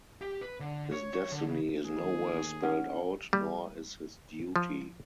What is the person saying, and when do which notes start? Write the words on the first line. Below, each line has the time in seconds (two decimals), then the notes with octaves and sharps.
His destiny is nowhere spelled out, nor is his duty.
0.21 G4
0.41 B4
0.60 D3
0.92 C#5
1.13 C#5
1.32 D3
1.47 C#3
1.85 D#2 G#4
2.63 C#4 F#5
3.33 G3
4.56 F3